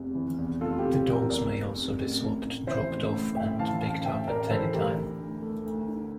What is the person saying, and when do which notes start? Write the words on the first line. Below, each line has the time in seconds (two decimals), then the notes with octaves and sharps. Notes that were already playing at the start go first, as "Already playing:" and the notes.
The dogs may also be swapped, dropped off, and picked up at any time.
Already playing: F1 E2 C3
0.15 E3
0.38 E2
0.61 F1 F4 A4
0.79 G4
0.84 C3
0.96 G4
1.07 E3
1.13 G4 A#4
1.30 E2 A#4 D5
1.53 F1
1.76 C3
1.99 A1
2.21 A2
2.44 A1
2.67 E3 C5 E5
2.90 A1
3.14 A2
3.36 A1 E5 G5
3.59 E3 F5 A5
3.82 A1 F5 A5
4.05 A2 E5 G5
4.28 A1 A#4 D5
4.50 E3 A4 C5
4.74 D2 G4 A#4
4.97 D3
5.20 D2
5.42 A3
5.66 D2
5.88 D3